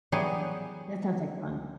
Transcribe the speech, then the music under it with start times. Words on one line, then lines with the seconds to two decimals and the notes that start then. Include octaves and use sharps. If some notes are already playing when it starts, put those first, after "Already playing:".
that sounds like fun.
0.12 E3 F#3 G3 B3 G4 G#4